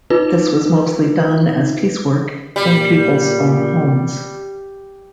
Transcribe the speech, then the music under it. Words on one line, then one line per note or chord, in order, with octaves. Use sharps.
This was mostly done as piecework in people's own homes.
D#4 F4 B4
A#2 G3